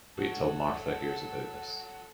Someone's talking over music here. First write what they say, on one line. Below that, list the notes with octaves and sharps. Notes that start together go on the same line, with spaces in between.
Wait till Martha hears about this.
F#3 F#4 A4